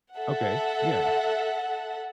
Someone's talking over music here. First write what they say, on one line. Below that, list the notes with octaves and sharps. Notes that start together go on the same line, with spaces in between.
Okay. Yeah.
A4 E5 F#5